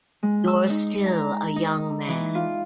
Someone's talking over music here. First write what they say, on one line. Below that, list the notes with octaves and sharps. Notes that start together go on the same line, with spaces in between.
You're still a young man.
G#3
E6
D#4
A#5
D#4
E3
F4